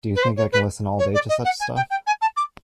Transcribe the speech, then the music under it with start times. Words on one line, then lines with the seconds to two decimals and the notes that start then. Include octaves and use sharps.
Do you think I can listen all day to such stuff?
0.15 B4
0.22 C5
0.36 C#5
0.52 B4
0.98 C#5
1.14 D5
1.29 D#5
1.44 F#5
1.60 G#5
1.76 G5
1.90 G5
2.06 G#5
2.21 A5
2.36 D6